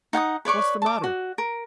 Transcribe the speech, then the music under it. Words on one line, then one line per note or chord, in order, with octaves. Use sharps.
"What's the matter?"
D#4 F#5 G#5 D#6
B4 C#5 D5 C#6
A5 D6
F#4
A#4